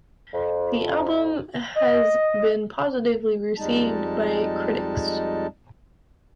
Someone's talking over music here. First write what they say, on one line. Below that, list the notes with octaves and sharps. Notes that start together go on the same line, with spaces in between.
The album has been positively received by critics.
F2
D#5
F2 G3 G#3 D#4 A5